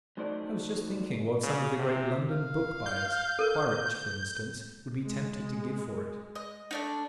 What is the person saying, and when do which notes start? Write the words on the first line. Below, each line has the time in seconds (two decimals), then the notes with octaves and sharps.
I was just thinking what some of the great London book-buyers--Quaritch, for instance--would be tempted to give for it.
0.17 F#3 A3 D#4 C5 D5
1.43 C#3
1.78 C3
2.30 F5
2.86 G6
3.39 A4 A#4
5.03 G#3
6.35 D#5
6.71 A3 D4 D#4